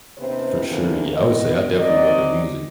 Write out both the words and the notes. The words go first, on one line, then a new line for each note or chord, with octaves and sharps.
For sure. Yeah. I would say, I definitely love the music.
D#2 C3 B3 C#4 B4 C5
E2 D3 E3 F3 A#3 C4
E3 B3 D#5
F#3 G3 C4 D5 D#5